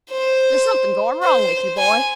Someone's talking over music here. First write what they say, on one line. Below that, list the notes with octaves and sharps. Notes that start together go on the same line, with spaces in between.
There's something going wrong with you, boy.
C5
C5
G#5